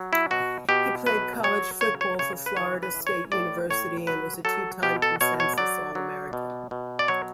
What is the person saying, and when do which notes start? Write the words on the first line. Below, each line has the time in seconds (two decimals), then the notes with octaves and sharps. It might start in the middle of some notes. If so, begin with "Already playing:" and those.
He played college football for Florida State University, and was a two-time consensus All-American.
Already playing: F#3
0.13 E4
0.31 B2 F#4
0.69 B2 G4
1.06 F#3 B4
1.43 F#3 C#5
1.81 C#3 C#5
2.01 C#5
2.19 C#3 C#5
2.46 B4
2.57 E3 C#5
2.83 B4
2.94 E3
3.07 C#5
3.32 A2 D5
3.70 A2 C#5
4.07 F#3 B4
4.45 F#3 A4
4.82 B2 G4
5.02 A4
5.21 B2 C#5
5.40 C#5
5.58 F#3 D5
5.95 F#3
6.33 B2
6.71 B2
6.99 D5
7.08 F#3 C#5